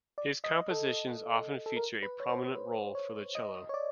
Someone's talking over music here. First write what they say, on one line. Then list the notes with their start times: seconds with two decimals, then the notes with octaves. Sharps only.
His compositions often feature a prominent role for the cello.
0.18 D5
0.44 D#5
0.71 A4
1.66 A4
1.77 A#4
2.03 B4
2.20 C#5
2.29 C5
2.55 B4
2.95 C#5
3.35 D#5
3.69 C#5
3.74 D5